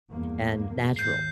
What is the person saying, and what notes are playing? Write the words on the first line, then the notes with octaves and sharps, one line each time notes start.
and natural,
E2 G2 A#3
D#2 G#2 G6 C7